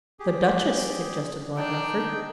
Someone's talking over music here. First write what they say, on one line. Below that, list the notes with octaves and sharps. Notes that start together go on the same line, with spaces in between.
"The Duchess!" suggested Lord Rufford.
G4 G#4
D4 D#4 G5